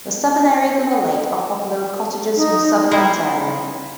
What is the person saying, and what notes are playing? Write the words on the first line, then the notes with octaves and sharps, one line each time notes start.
The southern areas of the lake are popular with cottagers from southern Ontario.
D#4
B3 D#4 E4 C5 E5 A#5